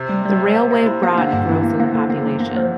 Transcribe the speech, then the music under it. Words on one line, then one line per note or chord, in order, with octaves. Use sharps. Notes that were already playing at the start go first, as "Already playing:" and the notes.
The railway brought a growth in the population.
Already playing: C3
G3
G3
G3
A#3
A#3
E4
A#3
D3 A#3
G2
E3 A#3
A#3
A#3
D3
A#3
G2
A#3
F3